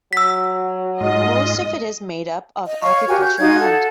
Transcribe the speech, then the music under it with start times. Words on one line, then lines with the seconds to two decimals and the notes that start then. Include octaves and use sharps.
Most of it is made up of agricultural land.
0.13 F#3 E6 B6
1.01 G#2 G#3 F4 D#5
2.65 D#5
2.83 C#5 F5 C#6
3.08 F#4 G4 A#4 G#5
3.22 G6
3.39 D#4 F#4 F5 G#6
3.59 A4 F#5